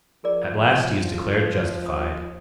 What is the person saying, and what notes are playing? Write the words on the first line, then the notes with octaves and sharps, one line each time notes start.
At last he is declared justified.
F3 G#4 A#4 D5
C5 D#6